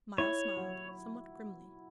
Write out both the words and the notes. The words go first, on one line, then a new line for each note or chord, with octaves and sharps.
Myles smiled somewhat grimly.
E4 C#5
F#3